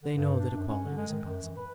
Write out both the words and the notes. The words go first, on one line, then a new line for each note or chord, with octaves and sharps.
They know that equality is impossible.
D3
G2
D4
F#2
C#4
D3
G#3
D#3
F#2
E3
B4